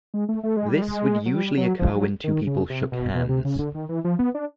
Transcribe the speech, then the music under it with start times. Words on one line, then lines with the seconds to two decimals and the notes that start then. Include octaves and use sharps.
This would usually occur when two people shook hands.
0.14 G#3
0.29 A3
0.43 A3
0.57 G#3
0.69 G3
0.82 G#3
1.26 F#3
1.34 G3
1.57 F#3
1.79 F3
1.94 F#3
2.24 D#3
2.47 C#3
2.70 C3
2.92 B2
3.14 B2
3.29 C3
3.45 C#3
3.59 D3
3.74 D#3
3.89 E3
4.04 F3
4.19 B3
4.35 D4